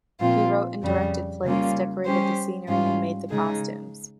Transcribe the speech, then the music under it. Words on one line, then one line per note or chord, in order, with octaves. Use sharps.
He wrote and directed plays, decorated the scenery and made the costumes.
A#2 F3 C4 F4
F2 C#3 G3
C#3 G3 A#3 C#4 F4
G3 C#4 G4 C5
G#2 G3 C#4 F4
C#3 G#3 D#4 G#4